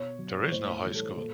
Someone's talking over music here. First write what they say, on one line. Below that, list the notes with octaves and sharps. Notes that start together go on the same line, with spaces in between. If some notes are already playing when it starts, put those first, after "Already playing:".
There is no high school.
Already playing: B2 C#5
F#3
A2 C5
E3 G3
A4
A#2 A4